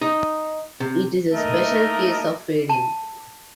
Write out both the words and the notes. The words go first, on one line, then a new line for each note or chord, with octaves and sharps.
It is a special case of fading.
D#4
C3
A3 A#3 D#4 E4 A#4 D#5
A5